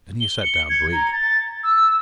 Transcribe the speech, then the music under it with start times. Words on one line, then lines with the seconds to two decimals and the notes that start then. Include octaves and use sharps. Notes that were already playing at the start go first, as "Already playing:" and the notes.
Then he sat down to eat.
0.21 G7
0.43 C#7
0.70 G#6
0.93 A#5
1.12 A6
1.64 E6